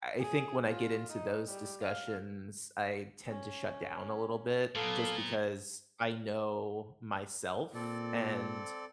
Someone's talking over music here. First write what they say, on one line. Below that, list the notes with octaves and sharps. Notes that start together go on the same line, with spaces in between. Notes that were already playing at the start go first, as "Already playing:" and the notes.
eI think when I get into those discussions, I tend to shut down a little bit just because I know myself, and
G#4
F4
D#4
G3
F5
C#4
A#2 F#3 B3 A4 F5
A#2 C4 A4 D5